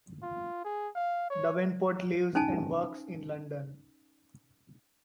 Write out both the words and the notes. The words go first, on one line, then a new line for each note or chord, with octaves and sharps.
Davenport lives and works in London.
F4
G#4
F5
C#5
C#4 D#4 G#5 A5